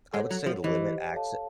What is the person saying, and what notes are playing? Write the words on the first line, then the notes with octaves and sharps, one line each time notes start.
I would say to limit acce an
G#3 A4 C#5 F#5
F#3
F3
E3 G4 C5 D#5
A4 C#5 F5 A5